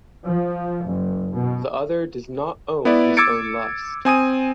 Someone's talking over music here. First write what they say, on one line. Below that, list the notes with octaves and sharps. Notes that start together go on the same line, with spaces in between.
The other does not own his own lust.
F3
F#1
B2
B3 E4 D5
D6 E6 G#6 A6 C#7 D7
C4 G#5 D#6 D#7